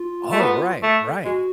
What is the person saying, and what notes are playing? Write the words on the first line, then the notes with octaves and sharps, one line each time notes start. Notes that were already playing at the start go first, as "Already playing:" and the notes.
Oh, right, right.
Already playing: F4
A3
B3
A3
G#3 F#4